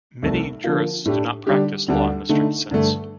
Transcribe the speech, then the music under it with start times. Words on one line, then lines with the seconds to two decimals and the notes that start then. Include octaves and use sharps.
Many jurists do not practice law in the strict sense.
0.22 C2 C3 D#3 A3
0.64 D3 F3 A#3 F4
1.05 A2 A3 D4 G4
1.47 D3 G3 D4 G4
1.88 D2 D3 G3 D4
2.29 D3 A3 D#4
2.71 G2 D3 A3